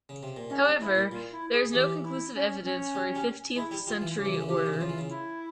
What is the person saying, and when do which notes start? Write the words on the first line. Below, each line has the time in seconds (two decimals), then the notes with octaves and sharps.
However, there is no conclusive evidence for a fifteenth-century order.
0.09 C#3
0.23 C3
0.36 A#2
0.49 G#2 C#4
0.65 G2
0.80 G#2 E4
0.95 A#2
1.11 A#2 F4
1.32 E4
1.52 G#4
1.72 E3 G4
2.03 E4
2.34 C#4
2.64 C#4
2.95 G3
3.15 G3
3.56 G#3 E4
3.71 G3
3.87 G3 F4
4.01 E3
4.17 C#3 G4
4.25 E3
4.34 C#3
4.41 E3
4.48 C#3 G4
4.57 E3
4.66 C#3
4.73 E3
4.78 C#3 F4
4.89 E3
4.98 C#3
5.09 E4